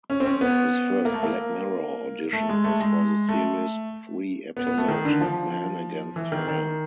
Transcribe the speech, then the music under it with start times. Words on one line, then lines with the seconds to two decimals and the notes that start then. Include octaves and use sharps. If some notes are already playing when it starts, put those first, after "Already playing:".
His first "Black Mirror" audition was for the series three episode "Men Against Fire".
0.10 C#4
0.20 C4
0.26 C#4
0.41 B3
1.05 A#3
1.14 A3
1.23 A#3
2.33 A3
2.49 G#3
2.64 A3
2.80 G#3
3.29 A3
4.57 B3
4.67 B3
4.78 A3
4.88 D#3
5.05 D3
5.21 F3
6.16 E3
6.32 D#3
6.48 D#3